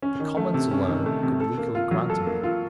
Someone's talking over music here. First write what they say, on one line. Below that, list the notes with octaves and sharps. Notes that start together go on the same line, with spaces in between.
The Commons alone could legally grant him money.
C#4
D#3
A3
C3
C#4
D#3
A3
C3
A4
A#3
F4
F#3
A4
A#3
F4